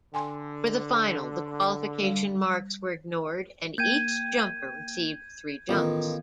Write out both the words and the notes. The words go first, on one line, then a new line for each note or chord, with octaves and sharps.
For the final, the qualification marks were ignored and each jumper received three jumps.
D3 G5 G#5 C6
G3
A#3 G5 G6 G#6 D#7
A1 D#3 B3 F4